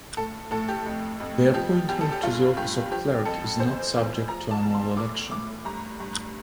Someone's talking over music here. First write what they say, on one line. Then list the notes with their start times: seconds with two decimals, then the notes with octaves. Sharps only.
The appointment to the office of Clerk is not subject to annual election.
0.17 A2 A4
0.51 A2 A4
0.68 G4
0.86 F2
1.20 F2
1.54 F3 G4
1.89 E2 G4
2.01 A4
2.12 G4
2.23 G2 F4
2.57 G2 G4
2.92 F3 G4
3.25 F2 A4
3.59 E3 C5
3.94 E2
4.28 F3 A#5
4.51 A5
4.63 E2
4.75 C6
4.97 A2 D6
5.31 A2 D6
5.65 G2 A#5
6.00 G2